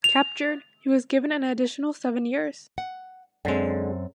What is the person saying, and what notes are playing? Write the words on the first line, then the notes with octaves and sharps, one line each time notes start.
Captured, he was given an additional seven years.
F7
F#5
F#2 D3 G#3 C4